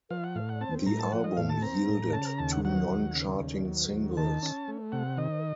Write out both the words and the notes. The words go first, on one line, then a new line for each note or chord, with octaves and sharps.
The album yielded two non-charting singles.
F3 F5
F#5
A2 F5
F#5
C4 A5
A2 A#5
A5
F3 F#5
D#5
A2 F5
A5
C4 A#5
A2
C#3 A5
A#5
D#2 A5
F#5
F#3 F#5
D#2
C#3
D#2
F#3
D#2
D#3 A5
C#4
A3
C3 F#5
D#3 D#5